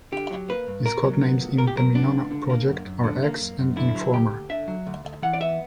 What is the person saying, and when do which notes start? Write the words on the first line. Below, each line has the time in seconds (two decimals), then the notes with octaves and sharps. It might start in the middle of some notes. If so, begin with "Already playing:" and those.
His code names in the Venona project are "X" and "Informer".
0.12 D3 G4
0.31 F#3
0.49 A#3 B4
0.67 G2
0.85 B2 A#4
1.04 F#3
1.22 B3
1.40 C#2
1.58 B2 A#4
1.67 G4
1.76 F#3 A#4
1.95 B3 D4
2.13 C#2
2.31 D3
2.50 A#3
2.67 F#2
2.86 F#2
3.04 D3
3.22 A#3
3.41 F#2
3.59 F#2
3.76 D3 E4
3.95 F#3
4.13 D2 G4
4.31 D2
4.49 D3 E5
4.68 F#3
4.87 D2
5.05 D2
5.22 E3 F#5
5.33 D5
5.40 B3 E5